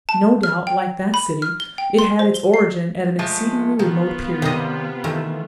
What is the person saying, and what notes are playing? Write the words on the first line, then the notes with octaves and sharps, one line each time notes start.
No doubt, like that city, it had its origin at an exceedingly remote period.
A5
F6
G5
B5
F6
G7
G5
C6
C5
G7
C7
F3 G#3 A3
D#3 B3 F4
C3 D#3 D5 D#5
D#3 E3 A3